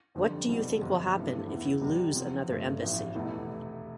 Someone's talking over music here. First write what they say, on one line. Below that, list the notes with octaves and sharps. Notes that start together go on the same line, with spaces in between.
What do you think will happen if you lose another embassy?
F1 F2 D3 G3
E2 B2 G3 C4 F4
G1 F2 C3
G2 E3 A3 E4
E2 C3 E3 B3 E4
F1 E2 C3 G3
E2 C3 F3 C4
G1 G2 F3 A3
A1 A2 F3
F1 E2 B2 A3 E4